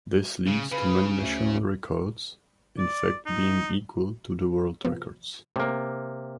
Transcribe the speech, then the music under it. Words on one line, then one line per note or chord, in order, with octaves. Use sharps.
This leads to many national records in fact being equal to the world records.
C#3
C#3 B4
D2
D5
D#4
C3 F3 B3
C3 A3 A#3 C#4